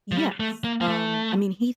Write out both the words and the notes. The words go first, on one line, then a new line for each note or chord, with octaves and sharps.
Yes. Um, I mean, he
F3
G3
A3
A#3
A#3
A3